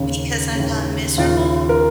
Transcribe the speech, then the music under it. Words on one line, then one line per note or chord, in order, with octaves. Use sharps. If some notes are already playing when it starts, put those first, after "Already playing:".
because I'm not miserable
Already playing: D#2 C#3
D#2 C#3
D#2 C#3 F4
A#4